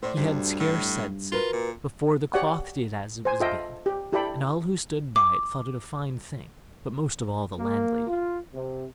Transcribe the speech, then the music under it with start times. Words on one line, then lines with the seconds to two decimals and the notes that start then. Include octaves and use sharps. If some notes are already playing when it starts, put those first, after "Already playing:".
He had scarce said so before the cloth did as it was bid; and all who stood by thought it a fine thing, but most of all the landlady.
0.03 A2 C5 D5
0.17 D2 G2
0.60 A2
1.32 F4 F#4 A#4 B4
1.53 A#2
2.34 G4 C#5 D5 F#5
3.25 C5 G#5
3.40 F4 A4 D#5 E5 G5
3.86 G4
4.12 E4 G4 A4 D5 G5 B5
5.16 D6
7.59 A#3
8.07 F4
8.54 C3